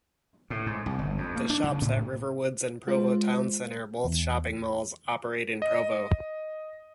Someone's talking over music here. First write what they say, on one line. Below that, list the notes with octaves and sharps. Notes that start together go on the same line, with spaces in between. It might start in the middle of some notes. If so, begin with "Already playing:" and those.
The Shops At Riverwoods and Provo Towne Centre, both shopping malls, operate in Provo.
A2
G#2
C2
G1
F2
A#3
D4
C#3
A2
G#3 F4 C5
E2
D#5